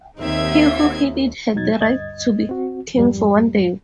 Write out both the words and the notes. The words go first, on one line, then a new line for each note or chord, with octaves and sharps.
He who hit it had the right to be king for one day.
D#2 C4 D#4 E5 G#6
E2 B2 F#3 D#4 G#6 A6
D2 G2 D#5 G#6 A6
C4 F#4
F2 G#2 G3